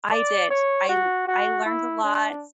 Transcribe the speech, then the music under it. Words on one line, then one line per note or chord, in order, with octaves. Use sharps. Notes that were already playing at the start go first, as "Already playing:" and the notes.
I did, I l I learned a lot,
D5
C#5
F#4
F#4
E4
D4